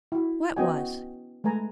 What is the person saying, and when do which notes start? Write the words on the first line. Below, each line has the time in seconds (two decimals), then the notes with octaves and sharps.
"What was?"
0.12 E4 F#4
0.57 B3 C#4 F#4 D#5 G5 G#5
1.44 G#3 A3 B4 G#5 A#5